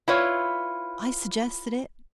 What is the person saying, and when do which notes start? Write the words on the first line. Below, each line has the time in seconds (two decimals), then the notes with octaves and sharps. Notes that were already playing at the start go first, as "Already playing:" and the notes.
I suggested it.
0.08 E4 F4 B4 C#5